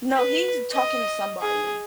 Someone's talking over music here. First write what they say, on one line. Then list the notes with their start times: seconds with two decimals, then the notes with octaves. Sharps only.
No. He's talking to somebody.
0.16 B4
0.73 D#5
1.42 G#4